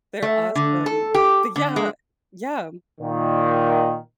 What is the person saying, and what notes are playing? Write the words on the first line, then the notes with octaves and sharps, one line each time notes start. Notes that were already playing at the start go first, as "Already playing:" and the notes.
they're awesome. But yeah, yeah m
A3
D3
A4
G4
D3
G#3
A#2 D#3